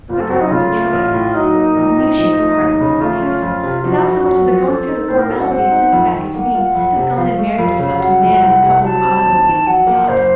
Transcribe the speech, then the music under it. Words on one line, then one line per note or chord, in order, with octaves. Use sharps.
The girl in Detroit,--I knew she was a heartless little minx,--without so much as going through the formality of sending back his ring, has gone and married herself to a man and a couple of automobiles and a yacht.
F#1 F4
A4
F#2 F#4
D#4
C#3 F4
A3
A1
A2
F#3 D#4
A#3
A#1
A2
F3
A3
D#2
C#3
A3 F4
C#4
F2
C3
F3 F#4
F2
F#2
F3
C4 A4
D#4
A2 C5
A#4
F#3 A4
F#5
C4 F#5
D#4
F2
D#3
A#3 F#5
F4
F2
C3
F3 F5
A3
F2
C#3
F#3 F#5
F2
C2
C3
F#3 A5
C4
D#2
D#3
F#3 F#5
A#3
F#1 C5